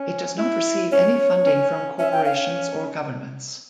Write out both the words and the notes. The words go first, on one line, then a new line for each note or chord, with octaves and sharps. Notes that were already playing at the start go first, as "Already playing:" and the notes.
It does not receive any funding from corporations or governments.
Already playing: C#4
E4
C#4 C#5
C#4
C#4 E5
G5
F5